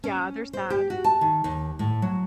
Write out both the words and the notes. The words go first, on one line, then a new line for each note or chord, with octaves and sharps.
Yeah, they're sad.
C#4
C5
G4
F#4
A5
D#3
D#2
A2
F#3